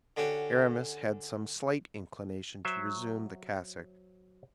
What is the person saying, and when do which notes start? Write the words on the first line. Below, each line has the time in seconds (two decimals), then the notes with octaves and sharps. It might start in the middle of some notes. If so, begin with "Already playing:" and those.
Aramis had some slight inclination to resume the cassock.
0.17 D3 C#4 F#4 G4
2.65 F#3 C5 E5